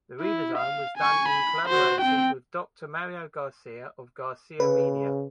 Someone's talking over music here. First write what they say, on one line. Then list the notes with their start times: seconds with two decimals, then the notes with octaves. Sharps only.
The redesign was done in collaboration with Doctor Mario Garcia of Garcia Media.
0.21 E4
0.58 F5
0.98 G#5 C#6
1.28 B5
1.69 F#4 C5
2.01 C4 G5
4.60 C#3 B4